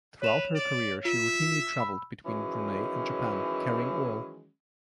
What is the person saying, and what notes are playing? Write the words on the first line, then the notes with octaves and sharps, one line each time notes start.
Throughout her career she routinely traveled between Brunei and Japan carrying oil.
B4 C#5 E7 F7
D5
F4 E5
B5 E6
D#3 E3 F#3 G#3 C#4